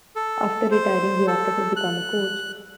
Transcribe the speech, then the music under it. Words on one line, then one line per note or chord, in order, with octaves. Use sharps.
After retiring, he opted to become a coach.
A4
C5
A4
F#6